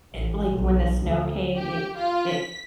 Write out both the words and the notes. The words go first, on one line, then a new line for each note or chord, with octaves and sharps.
it like when the snow came, it it
A1
B1
D2
G4
F4
B6